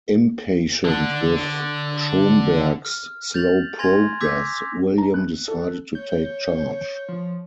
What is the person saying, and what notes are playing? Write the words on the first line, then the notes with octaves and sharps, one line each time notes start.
Impatient with Schomberg's slow progress, William decided to take charge.
D3 D4
F6
G6 A6 F7 F#7
G#5 C6 G#6 A#6 F7
D6 E6 G6 G#6 A#6 B6
A#5
F#6
A4
C#5 G6
F3